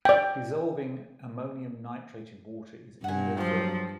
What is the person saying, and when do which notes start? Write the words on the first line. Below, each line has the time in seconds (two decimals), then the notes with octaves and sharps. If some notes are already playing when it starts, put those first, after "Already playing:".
Dissolving ammonium nitrate in water is endothermic.
0.05 D5 G5
3.04 G2 F#5 G#5
3.38 F3 F#3 G5 C6